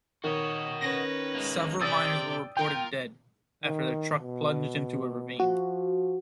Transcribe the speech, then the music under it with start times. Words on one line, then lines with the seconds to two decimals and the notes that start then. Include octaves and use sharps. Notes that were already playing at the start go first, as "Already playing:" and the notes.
Several miners were reported dead, after their truck plunged into a ravine.
0.24 D#3 F#4 C#5 D#5
0.81 C#4 B4 A#6
1.35 G#3 A#3
1.81 C3 D5 G5 D#6 E6 A6
2.57 F4 A#4 G5
3.64 D#3
4.21 B2
5.40 F3 F#4